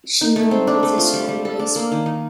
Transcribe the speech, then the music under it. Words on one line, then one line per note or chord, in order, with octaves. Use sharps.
She remembered this always.
D#4
A3
C4
D4
A3
F4
G3
G3
A4
D4
A#3
D#3
D#4